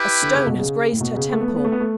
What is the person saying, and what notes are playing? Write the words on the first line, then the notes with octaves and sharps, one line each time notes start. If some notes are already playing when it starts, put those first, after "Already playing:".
A stone has grazed her temple.
Already playing: E4 G4 B4
D3
C#3
B2
C#3
A2
B2
C#3
A3
B3
A3
B3
A3
B3
A3